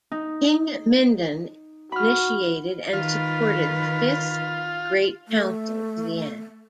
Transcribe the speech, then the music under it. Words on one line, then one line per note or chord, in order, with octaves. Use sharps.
King Mindon initiated and supported the Fifth Great Council to the end.
D#4
F#4 B5 F6
D#3 F4 B4
A3